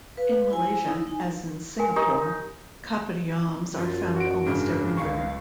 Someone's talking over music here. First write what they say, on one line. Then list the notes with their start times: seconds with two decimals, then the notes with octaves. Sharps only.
In Malaysia, as in Singapore, kopitiams are found almost everywhere.
0.17 B4 F5
0.51 E4 C5 G#5
0.86 D#4 E4 D#6
1.07 D#4 G#5
1.79 A#4 G#5
1.96 D#4 G4 A#4
3.78 F#2 F4
4.16 F#4 D7
4.46 G#2 C#3 D4
4.97 C#2 F5 C#6